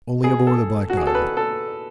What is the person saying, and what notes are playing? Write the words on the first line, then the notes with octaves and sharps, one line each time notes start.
'Only aboard the Black Diamond.
B2 G#4
A4
F#4
G#4
A4
B4
A4